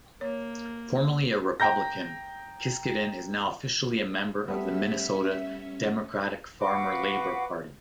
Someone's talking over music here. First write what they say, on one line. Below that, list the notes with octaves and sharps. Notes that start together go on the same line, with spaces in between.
Formerly a Republican, Kiscaden is now officially a member of the Minnesota Democratic-Farmer-Labor Party.
A#3 C#5
G5 A#5 G6 A#6
G3 A3 B3 C#4 G4 E5
F#4 B4 F5 F#5 D6